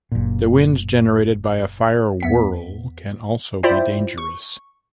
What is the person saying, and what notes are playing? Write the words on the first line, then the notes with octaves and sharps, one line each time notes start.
The winds generated by a fire whirl can also be dangerous.
F#1 A#2
E2 B3 B6
E4 F4 C5 D5 E5 G5
C#6